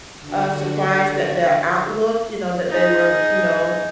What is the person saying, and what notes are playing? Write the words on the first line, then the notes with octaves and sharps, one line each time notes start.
uh, surprised that their outlook, you know, that they were, you know
D3 F#4
D#4 G#4